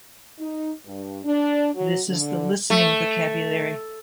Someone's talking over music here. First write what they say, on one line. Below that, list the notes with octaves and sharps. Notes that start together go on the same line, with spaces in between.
This is the listening vocabulary.
D#4
G2
D4
F#3
D3
A3